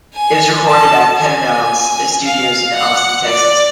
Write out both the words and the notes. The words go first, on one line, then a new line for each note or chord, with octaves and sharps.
It was recorded at Pedernales Studios in Austin, Texas.
G#5
A5
G#5
F5
F#5
D5